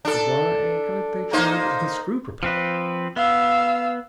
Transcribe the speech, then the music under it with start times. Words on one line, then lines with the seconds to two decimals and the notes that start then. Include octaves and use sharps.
And why haven't they tried the screw-propeller?
0.05 D4 A4
1.33 A#3 D#4 C5
2.43 F3 C4 B4
3.16 B3 F5 E6